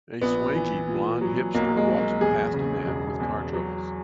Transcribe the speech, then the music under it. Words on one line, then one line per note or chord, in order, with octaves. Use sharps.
A swanky, blond hipster walks past a man with car troubles.
A#1 B3
E3
A#2
F#3
B1 A#3
G#3
F#3
A#3
E2 G#4
C#3
E1
E2
F#3